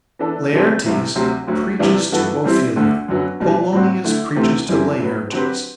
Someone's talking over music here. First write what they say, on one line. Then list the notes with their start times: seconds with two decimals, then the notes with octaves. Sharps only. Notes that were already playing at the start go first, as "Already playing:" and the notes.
Laertes preaches to Ophelia; Polonius preaches to Laertes.
0.19 E3 B3 D4 A4
0.52 B2 F#3 C4 G4
0.84 C2 C3 E3
1.15 D2 C3 F#3 C4
1.47 D2 D3 F#3
1.79 C2 C3 E3 G3 D4
2.12 G2 E3 B3 F#4 A4
2.44 E3 G3 C4 E4
2.76 D2 D3 A3
3.08 F#2 D3 F#3 B3
3.40 B2 G3 D4
3.73 A2 F#3 C4 F#4
4.04 D3 A3 E4
4.36 D2 C3 E3 A3 C4
4.69 F#2 E3 G3 C4 E4
5.00 A2 F#3 B3
5.32 D3 F#3 C4 G4 B4